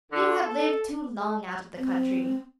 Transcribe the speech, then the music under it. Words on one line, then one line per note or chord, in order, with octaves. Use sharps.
You have lived too long out of the country.
D3
A4
C4